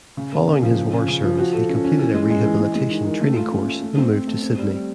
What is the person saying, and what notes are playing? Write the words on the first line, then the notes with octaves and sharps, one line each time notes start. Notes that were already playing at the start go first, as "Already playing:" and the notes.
Following his war service he completed a Rehabilitation Training course and moved to Sydney.
C#3
A#3
C#3
F3
C#3
C#4
C#3
F3
F#4
A4
C#4
C#4
E3
G#3
G#3
E3
G#3
G#3
D#3
D#3
A3
F4
C#4
A3
A3
C4
C4
A3
C4
G3
G3